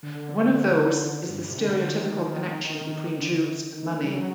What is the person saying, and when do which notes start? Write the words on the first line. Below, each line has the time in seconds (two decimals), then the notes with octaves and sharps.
One of those is the stereotypical connection between Jews and money.
0.03 D3
1.29 G2
1.51 C3
1.61 D3
1.93 D#3
3.20 D3
3.83 D#3
4.04 G3
4.14 F#3